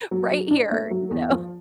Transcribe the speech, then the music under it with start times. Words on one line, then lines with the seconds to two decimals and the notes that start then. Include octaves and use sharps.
right here." You know?
0.11 F#3
0.31 F#3
0.51 D4
0.71 A3
0.91 F#3
1.11 E2
1.30 F3